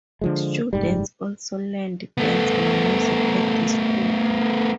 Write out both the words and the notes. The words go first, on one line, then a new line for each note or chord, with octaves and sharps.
Students also learned dance and music at the school.
D3 F3 G#3
F#1 G#2 G3
A3 B3